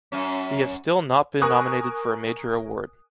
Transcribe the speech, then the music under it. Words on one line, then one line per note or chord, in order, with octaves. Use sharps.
He has still not been nominated for a major award.
F#2 C#4
A#4 G#5 C#6 D#6 F#6